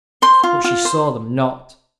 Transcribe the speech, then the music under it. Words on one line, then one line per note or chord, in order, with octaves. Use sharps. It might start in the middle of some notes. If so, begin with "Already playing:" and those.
But she saw them not.
C5 C6
F4
F4
C5